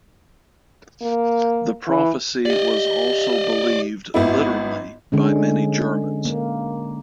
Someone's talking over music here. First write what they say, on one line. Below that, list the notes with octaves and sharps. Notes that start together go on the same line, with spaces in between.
The prophecy was also believed literally by many Germans.
A#3
E3
G4 D5 D#5
G#1 B3 E4
D3 G#3 C#4
A#3